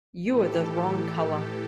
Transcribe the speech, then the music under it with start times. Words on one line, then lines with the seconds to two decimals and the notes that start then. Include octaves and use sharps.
You're the wrong colour.
0.24 A2 E3 G4 A4
0.57 A2 E3 G4 A4